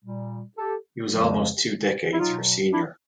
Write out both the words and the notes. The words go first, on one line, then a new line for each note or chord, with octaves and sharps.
He was almost two decades her senior.
A#2 G3
G4 A4
F2 C#3 F3 G#3
E4
B2 F#3 D#4 F4
D4 E4